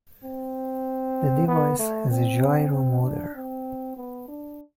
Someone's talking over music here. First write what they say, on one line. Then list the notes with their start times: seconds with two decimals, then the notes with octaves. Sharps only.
The device has a gyro motor.
0.24 C4
1.48 B3
1.79 A3
2.10 C4
2.73 C4
3.03 D4
3.35 C4
3.97 B3
4.28 D4